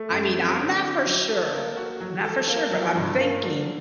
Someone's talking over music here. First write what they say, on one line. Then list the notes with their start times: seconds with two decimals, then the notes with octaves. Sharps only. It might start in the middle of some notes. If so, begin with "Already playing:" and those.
I mean, I'm not for sure. Not for sure, but I'm thinking
Already playing: A3
0.11 F#2
0.35 C4
0.59 D3
0.82 F#4
1.06 F#3
1.30 A4
1.53 A#3
1.77 F#4
2.01 F#3
2.24 A4
2.48 A#3
2.71 F#3
2.95 G2
3.18 A#3
3.43 D3